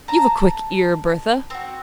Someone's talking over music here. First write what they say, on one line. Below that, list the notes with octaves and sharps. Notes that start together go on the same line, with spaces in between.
You've a quick ear, Bertha.
A5 A#5
C4 F#4